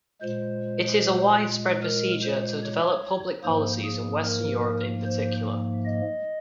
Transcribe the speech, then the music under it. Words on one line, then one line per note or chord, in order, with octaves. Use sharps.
It is a widespread procedure to develop public policies in Western Europe in particular.
A#2 G#3 C5
A#4
C5
C#5
G#2 F3 A#3 C5
G#4
A#4
C5
D#5